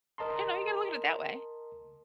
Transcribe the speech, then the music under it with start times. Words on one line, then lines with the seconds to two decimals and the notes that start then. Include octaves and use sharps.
You know, you gotta look at it that way.
0.18 A#4 D#5 A5 A#5 C6